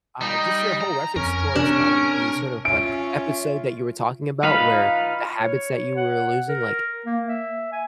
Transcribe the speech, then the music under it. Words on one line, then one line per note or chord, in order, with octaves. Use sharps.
uh, just your whole reference towards, um, the sort of, like, episode that you were talking about where the habits that you were losing, like,
G3 D#4
A#5
F2 C#4 A#4
C3 C#4 D4
C#4 F4 E5 D7
D#4 F4 B4 F5 B5
C#5
F#5
A#4
A#3
E5
G#5